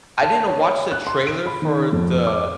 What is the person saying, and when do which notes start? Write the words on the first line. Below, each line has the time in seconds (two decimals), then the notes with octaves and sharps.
I didn't watch the trailer for the
0.23 A5
0.48 C#5
0.91 F#6
1.07 C6
1.27 D7
1.47 B5
1.62 D#3
1.92 F2
2.27 D6